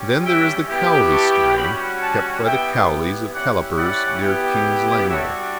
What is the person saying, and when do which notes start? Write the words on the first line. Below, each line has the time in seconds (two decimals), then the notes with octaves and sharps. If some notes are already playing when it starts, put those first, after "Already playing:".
Then there is the Cowley strain, kept by the Cowleys of Callipers, near King's Langley.
Already playing: G3 C#4 G4
0.24 E5 G5
0.68 B3 E4 G4
1.11 A5 C#6
1.55 G3 C#4 F#4 G5 B5
2.00 F#5 A5
2.43 B3 E4 G4 E5 G5
3.32 C#4 E4 G4 D5 F#5
3.76 D5 F#5
4.21 B3 E4 G4
5.08 G3 D4 F#4 C#5 E5